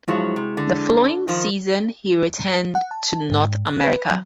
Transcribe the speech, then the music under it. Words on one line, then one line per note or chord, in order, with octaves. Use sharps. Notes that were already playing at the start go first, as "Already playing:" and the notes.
The following season he returned to North America.
G2 F3 F#3 G#3 E4 G#4
C3
D3
D#3 F3
F#5
A5
G#2
F#6
B4
F#3